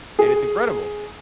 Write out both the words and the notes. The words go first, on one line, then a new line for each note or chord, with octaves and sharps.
And it's incredible.
G#4